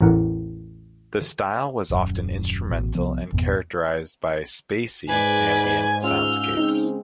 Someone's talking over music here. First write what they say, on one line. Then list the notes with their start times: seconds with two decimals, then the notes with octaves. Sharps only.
The style was often instrumental and characterized by "spacy," ambient soundscapes.
0.01 A1 E2 A2 A#4 F#5
1.90 D#1 F#2
2.68 A1 B2
2.95 C2 C3 F3 B3
3.33 G1 E2 A#2 B3
5.07 G#2 B4 D5 G#5
6.03 C#4 F4 E6 F6 G6
6.57 C#3 G#3 C4 D#4